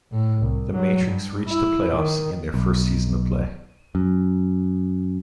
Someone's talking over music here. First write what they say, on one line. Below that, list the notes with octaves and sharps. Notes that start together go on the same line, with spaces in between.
The Matrix reached the playoffs in their first season of play.
A2
C2
F#3
G2
E4
D#3
B1
F#2